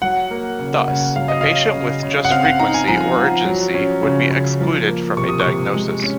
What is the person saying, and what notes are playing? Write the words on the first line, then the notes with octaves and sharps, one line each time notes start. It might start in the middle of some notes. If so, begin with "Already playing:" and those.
Thus, a patient with just frequency or urgency would be excluded from a diagnosis.
F#3 F#5
A#3
C#3
C#3
F#3 F5
D#5
C#4 F5
C#3
C#3
F#5
C4 F5
F#5
D#4 A#5
G#5
F3 A#5
F3
F#3
C#4
C#3
C#3
F3
A#3
C3 C#6
D#6
C#6
C3
G#3
C#4